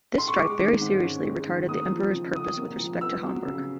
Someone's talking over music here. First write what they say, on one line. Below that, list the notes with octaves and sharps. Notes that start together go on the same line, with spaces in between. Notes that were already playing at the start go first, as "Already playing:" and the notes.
This strife very seriously retarded the emperor's purpose with respect to Hamburg.
C6
C#6
G#3 D6
D#3
G#2
C#4
G#3
D#3
A#3 D#6
F3
C#3
C#3 D#6
A#3
F3
B3 E6
F#3
C#3